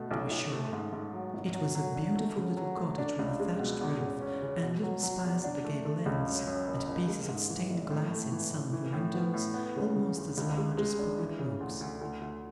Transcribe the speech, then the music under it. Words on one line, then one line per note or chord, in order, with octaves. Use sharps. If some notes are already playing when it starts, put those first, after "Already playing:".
To be sure, it was a beautiful little cottage with a thatched roof and little spires at the gable-ends, and pieces of stained glass in some of the windows, almost as large as pocket-books.
Already playing: B2 A3
B1
B1
A3
G#2
G#2
F#3
G#1
F#3
F#3
D3
A3
C#3
F#3
A3
D4
C#2
G#3
B2
E2
C#3
C#4
C#3
B2
F#3
F#3
E2
D4
A3
A3
C#2
F#2
F#2
F#1
F#1
G#3
G#2
E3
G#1
A2
A3
E3
A2
E3
A2
B3
A2
B3
C#3
C#3
D2
C#2
G#3
G#3
D4
E3
C#3
D2
D2
D2
D2